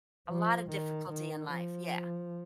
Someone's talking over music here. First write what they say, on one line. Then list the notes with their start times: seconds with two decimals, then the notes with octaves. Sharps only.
A lot of difficulty in life, yeah,
0.29 F3
0.70 D#3
1.10 D#3
1.51 F3